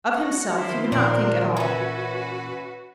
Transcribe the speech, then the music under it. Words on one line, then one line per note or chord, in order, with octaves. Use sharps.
Of himself he would not think at all.
F#4 F#5 A#6
D#3 F3 E4 C6
A#2 D4 A#4
E3 C#4 F#4 B4